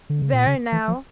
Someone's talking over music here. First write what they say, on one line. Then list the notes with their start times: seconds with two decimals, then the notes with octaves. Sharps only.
There now!'
0.10 D3
0.22 C#3
0.33 A#2
0.47 C#3
0.72 E3
0.88 F3